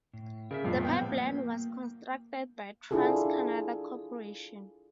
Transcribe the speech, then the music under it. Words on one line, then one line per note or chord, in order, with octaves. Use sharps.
The pipeline was constructed by Trans Canada Corporation.
A2
C#3 A#4 D5 E5
F2 A#2 G3 F5
B3 D5 G5 G6
A#3
D4 E4 F4 G#4 A4